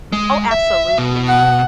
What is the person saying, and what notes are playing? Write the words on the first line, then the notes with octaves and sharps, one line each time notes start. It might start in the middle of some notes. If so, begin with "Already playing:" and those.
Oh, absolutely.
G#3
E5
B2
F#5